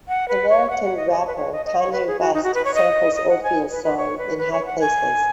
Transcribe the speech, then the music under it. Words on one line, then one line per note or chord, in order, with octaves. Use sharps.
American rapper Kanye West samples Oldfield's song "In High Places".
F#5
B4
C#5
F#5
F#5
D#5
D#5
C#5
B4
C#5
D#5
D#5
C#5
B4
G#4
F#4
D#4
F#4
B4
C#5
D#5
D#5
F#5
G#5
B4
B4
C#5
B4
B4
C#5
F#5
G#5